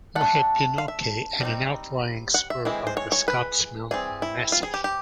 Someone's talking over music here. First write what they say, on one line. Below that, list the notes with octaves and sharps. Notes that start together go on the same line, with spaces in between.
Mohepinoke and an outlying spur of the Scotts Mountain massif.
A3 F#5
D4
F5
E5
G3 C4 D#4
F#5
E5
E3 G#3 C4 E4
C5
C#5
C#5
B4
E3 G3 C4 G#4
E4
F4
G#4
G4
G4